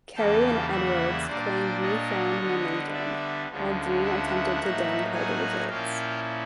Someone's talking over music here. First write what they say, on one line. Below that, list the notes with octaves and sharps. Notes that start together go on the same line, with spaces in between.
Kerry and Edwards claimed newfound momentum, while Dean attempted to down-play the results.
E2 C#3 E3 G3 A#3 G5 A5
E5 F#5
A#2 G3 A#3 D4 C5 D5
C#5 D#5
D3 G3 B3
D5 E5
D2 D3 F3 G#3 C#4
E5 F#5
A2 F#3 A#3 D#4
F#5 G#5
A#2 F3 A#3 C#4 E4 F5 G5